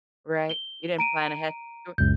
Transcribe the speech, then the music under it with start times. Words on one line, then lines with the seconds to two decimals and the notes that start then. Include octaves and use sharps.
Right, you didn't plan ahead? You
0.50 G7
0.98 A#5 D7 D#7
1.98 C#2 F#2 G6